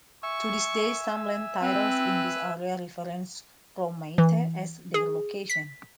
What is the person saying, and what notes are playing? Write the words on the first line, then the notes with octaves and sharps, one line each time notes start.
To this day some land titles in this area reference Roimata as their location.
E5 G#5 C#6 E6
C4 B4
E3
G#4
B6